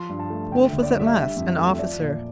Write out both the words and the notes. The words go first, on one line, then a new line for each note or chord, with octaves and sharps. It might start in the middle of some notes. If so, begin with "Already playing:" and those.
Wolfe was at last an officer.
Already playing: F3 C6
G2
A5
A3
D3 G5
E5
D2
D5
G3
E5
D3
F2
A3
E5
F3 D5
A#2